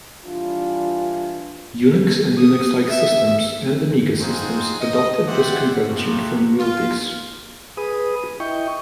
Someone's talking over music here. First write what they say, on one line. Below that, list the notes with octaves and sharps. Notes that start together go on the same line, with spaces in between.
Unix and Unix-like systems, and Amiga systems, adopted this convention from Multics.
E3 G3 D4 E4 F4
D#6
E5
C4 D#4 F4 F#4 G#4 C5
D#5
F#4 G4 C5 D5 E5 F#5
C3 F3 F#4
F4
G#4 B4 D#6
E4 D#5 G5 C#6